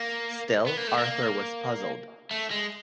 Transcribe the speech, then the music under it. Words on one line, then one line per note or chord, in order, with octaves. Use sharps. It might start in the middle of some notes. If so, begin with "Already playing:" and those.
Still Arthur was puzzled.
Already playing: A#3
B3
A#3
A3
A#3
A3
G#3